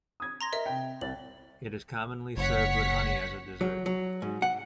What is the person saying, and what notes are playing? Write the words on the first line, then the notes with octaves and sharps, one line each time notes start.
It is commonly served with honey as a dessert.
D#6 G#6
A#5 C6 A#6
A#4 D#5 E5
C3 G5
C2 A6 F#7
F#1 C#5 F#5 B6
F#3
F#3
G#2
F#5